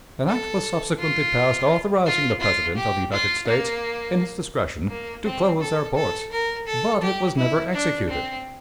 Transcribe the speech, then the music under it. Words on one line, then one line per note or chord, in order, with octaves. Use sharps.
An act was subsequently passed authorizing the President of the United States, in his discretion, to close our ports, but it was never executed.
A4
F4
F4
F4
G4
F4
A#3
A#3
C4
A4
A4
A#4
A4
G4
E4
D4
C4